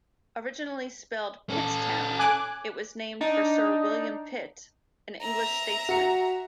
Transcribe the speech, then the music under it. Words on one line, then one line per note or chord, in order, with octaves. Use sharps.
Originally spelled Pittstown, it was named for Sir William Pitt, an English statesman.
C#4 A4
G#5 D6 F#6
D4 D#4
E5 A#5
F#4 C#7